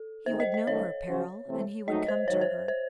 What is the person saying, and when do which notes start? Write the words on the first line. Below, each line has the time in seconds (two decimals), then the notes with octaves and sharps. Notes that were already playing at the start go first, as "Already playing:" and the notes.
He would know her peril and he would come to her.
Already playing: A4
0.26 D#2 D#3 G#3 C4 D#4 C5
0.40 D#5
0.54 D#5
0.67 F#2 D#3 F#3 A3 C#5
1.07 C#3 F#3 C#4 F#4 C5
1.47 C3 E3 A3 C4
1.88 G#2 F#3 A3 D#4 D#5
2.08 C5
2.28 G#2 D#3 F#3 C#5
2.41 C5
2.68 C5